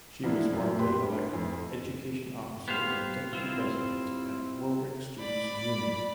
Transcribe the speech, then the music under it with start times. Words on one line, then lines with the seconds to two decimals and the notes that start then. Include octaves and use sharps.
She was formerly elected Education Officer and Deputy President at Warwick Students’ Union.
0.23 E3 F3 A#3 B3 D4 E4
0.53 F#2
0.79 G4 B4 B5 C6
1.03 G2
1.33 F2
2.68 B3 G4 C5 F5
3.33 G3 C4 E4 F4
5.19 D5 B5